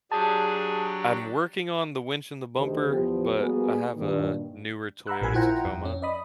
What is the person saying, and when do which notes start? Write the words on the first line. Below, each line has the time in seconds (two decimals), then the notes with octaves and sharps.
I'm working on the winch and the bumper, but I have a newer Toyota Tacoma,
0.12 F#3 D4 G4 G#4 A5
2.57 D2 D3 D#3 G4 A4 C5
2.89 E2 F3 B3 G4
3.40 G3 A#3 B3 F#4 G#4
3.97 G2 A#2 D#3
5.07 F#5 A#5 B5 E6 F#6
5.21 A#1 F3 A#4 G#5 B5 G#6
5.34 E4 F4 C5 F#5 G5 A#5
5.65 F2
5.85 C#4
6.02 D5 D#5 B5 D#6